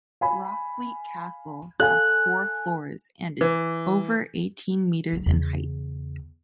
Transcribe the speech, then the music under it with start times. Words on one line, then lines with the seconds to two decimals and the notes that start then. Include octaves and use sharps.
Rockfleet Castle has four floors and is over eighteen metres in height.
0.21 F5 G#5 B5
1.80 A4 F5 G#5 F#6
3.41 E3
5.13 D2 F#3
5.26 E2 C#3